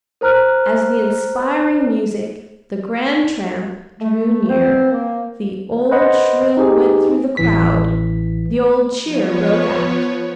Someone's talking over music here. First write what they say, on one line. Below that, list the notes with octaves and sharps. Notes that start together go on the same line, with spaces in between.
As the inspiring music, the grand tramp, drew near, the old thrill went through the crowd, the old cheer broke out.
A#4 C5 A#5 F6 F#6
A3
B3 C4 C5
A#3
B4 C5 D#5 F#5
D#4 G4 G#4
A1 E3 B6
F3 B3 C#5